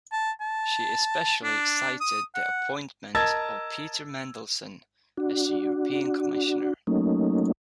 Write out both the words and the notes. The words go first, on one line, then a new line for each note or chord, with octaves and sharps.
She especially cited the appointment of Peter Mandelson as a European Commissioner.
A5
A5
D4
D#6
F#5
A#4 D#5 A5 E6 G#6 A6
D4 F#4
F#3 A3 A#3 C#4 D#4